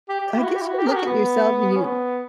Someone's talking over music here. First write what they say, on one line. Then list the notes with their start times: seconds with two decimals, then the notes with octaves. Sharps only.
I guess you look at yourself and you
0.09 G4
0.21 G4
0.32 G4
0.39 E4
0.44 F#4
0.56 G4
0.61 E4
0.67 F#4
0.78 G4
0.87 A#4
0.92 G4
0.96 F#4
1.05 B3
1.76 C#4
1.84 B3